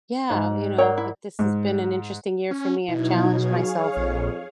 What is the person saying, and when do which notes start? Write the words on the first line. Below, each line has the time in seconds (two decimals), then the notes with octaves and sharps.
yeah, well, you know, uh, this has been an interesting year for me. I've challenged myself
0.30 G#2
0.78 A#4 C#5 D5 F#5 G5 A#5
0.98 E4
1.39 G#2
2.51 C#4
2.89 B2 F#3 D#4 E4 G#6
3.30 F#3 G#4 C#5 F5
3.97 A#1 F2